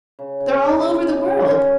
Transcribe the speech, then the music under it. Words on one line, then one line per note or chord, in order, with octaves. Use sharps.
They're all over the world.
C#3
C#3
C#4
F#3
C#3
C#3
C#4